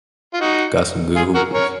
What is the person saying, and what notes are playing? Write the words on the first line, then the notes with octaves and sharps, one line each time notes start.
Got some good hoopers.
F4
D#4 F#4
F4 G#4
F#4 A#4
A#4 C#5